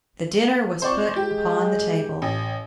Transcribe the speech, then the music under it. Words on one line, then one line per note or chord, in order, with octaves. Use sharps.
The dinner was put upon the table.
C4 C5 D5 C#6
G#3 G4
A1